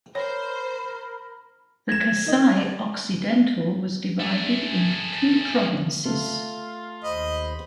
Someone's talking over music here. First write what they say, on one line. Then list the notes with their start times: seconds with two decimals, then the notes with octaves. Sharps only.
The Kasai-Occidental was divided into two provinces.
0.15 A#4 C5 C#5 B5
1.89 G#6 A#6 E7
2.26 D#3 D#5
2.58 D5
4.20 A3 G#4
6.05 A3 F4
7.04 D#2 C5 D#5 B5